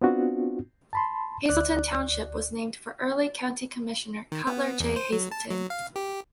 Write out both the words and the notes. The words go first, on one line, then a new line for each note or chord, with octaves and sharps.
Hazelton Township was named for early county commissioner Cutler J. Hazelton.
B3 C4 D4 F4 F#4
A5 B5 C6
D2 D5 F#6
D#3
B3
E2
C5
F#3
A5
F#3
F5
G4